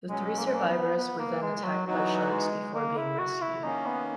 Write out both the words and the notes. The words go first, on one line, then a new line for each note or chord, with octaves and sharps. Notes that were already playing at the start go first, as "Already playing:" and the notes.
The three survivors were then attacked by sharks before being rescued.
B2 F#3 G#3 C#4
A#3
G#3
A#3
B3
B3
A#3
G#3
F#3
E3 F#3 B3 D#4 F#4
G#3
A#3
E4
F#4
E4
D#3 A#3 C#4 D#4
B3